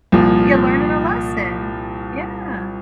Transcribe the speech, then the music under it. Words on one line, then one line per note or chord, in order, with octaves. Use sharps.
Yeah, you're learning a lesson, yeah.
C2 A#2 F3